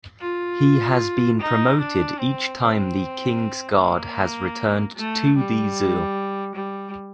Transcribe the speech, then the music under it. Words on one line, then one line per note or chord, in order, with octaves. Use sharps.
He has been promoted each time the King's Guard has returned to the zoo.
F4
D#4
D4
C4
C4
A#3
A3
G3
G3